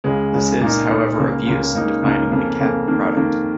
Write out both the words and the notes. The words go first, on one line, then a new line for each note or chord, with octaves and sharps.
This is however of use in defining the cap product.
C#2 C#3 G#3
C#2 C#3 G#3
A#2 A#3 D#4
A#2 A#3 D#4
C#2 C#3 A#3
C#2 C#3 A#3
C#2 C#3 A#3 D#4
C#2 C#3 A#3 D#4
F2 C#3 A#3
F2 C#3 A#3
F2 D#3 A#3
F2 D#3 A#3